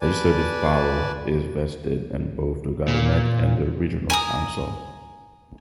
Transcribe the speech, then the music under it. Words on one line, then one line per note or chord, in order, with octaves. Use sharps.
Legislative power is vested in both the government and the Regional Council.
B4 D5 G#5 A5
A#2
G#5 A#5 D#6